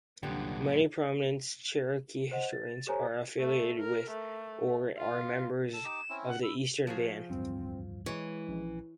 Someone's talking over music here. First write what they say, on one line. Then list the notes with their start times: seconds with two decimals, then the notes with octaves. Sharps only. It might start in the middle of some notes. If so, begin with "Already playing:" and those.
Many prominent Cherokee historians are affiliated with, or are members of the Eastern Band.
0.23 C2 F#2 A#2 D3 B3 D4 G4
2.31 C5 D#5 F#5
2.53 A6
2.87 G4 A4 C5 C#5 G#5 A#5
3.39 A3
3.80 A#4
4.10 A3
4.97 F4
5.73 A4 E7
5.85 D#4 G4 D6
6.10 C4 C#4 E4
6.27 F#5
6.43 B5 E6
6.87 F3 F#4 G#4
7.30 D1 E2 G2 C4
8.06 E3 G#3 C#5
8.48 A#1 F3 C#4